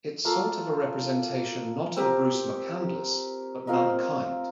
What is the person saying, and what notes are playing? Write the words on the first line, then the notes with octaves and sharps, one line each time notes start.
It's sort of a representation not of Bruce McCandless, but mankind.
A#3 F4 A4
C4 G4 A#4
C4 F4 A#4 D#5